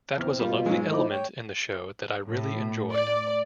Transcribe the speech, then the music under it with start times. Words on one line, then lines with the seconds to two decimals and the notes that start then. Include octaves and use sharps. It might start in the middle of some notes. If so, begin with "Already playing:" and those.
That was a lovely element in the show that I really enjoyed.
0.18 E2 C4 F6
0.39 B2 G3 A#3 F4
0.66 G#2 F#3 G#3
0.90 F3 A3 D#4 E4 D#5 D6
1.11 C#5 G5
2.28 A2
2.93 D5